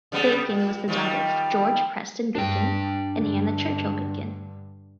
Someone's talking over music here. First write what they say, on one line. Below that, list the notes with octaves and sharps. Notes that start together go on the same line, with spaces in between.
Bacon was the daughter of George Preston Bacon and Hannah Churchill Bacon.
C#3 G3 B3
A#2
D#3 F3 G3
G2 D4 G5
G2 D3